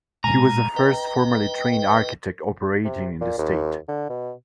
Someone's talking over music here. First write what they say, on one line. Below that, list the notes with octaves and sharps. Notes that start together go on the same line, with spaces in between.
He was the first formally trained architect operating in the state.
A#2 G#3 G#5 A#5
B4 D#5 G5
C3
A#2
D#2
D3
B2